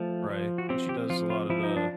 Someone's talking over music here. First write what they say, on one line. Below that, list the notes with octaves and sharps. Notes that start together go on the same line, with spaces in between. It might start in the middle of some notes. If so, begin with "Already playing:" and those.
Right. And she does a lot of the
Already playing: F3 A3
F3
F#4
C4 G4
G4
F3 F4
F4
F3 E4
D#4
D4